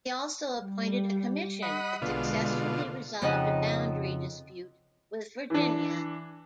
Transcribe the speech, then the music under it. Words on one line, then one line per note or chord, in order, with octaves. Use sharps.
He also appointed a commission that successfully resolved a boundary dispute with Virginia.
G3
D#5 F#5 B5
A#1 B2 D3 G#3 F4
F2 C#3 C#4 D#4 D#5 F#5
E3 D4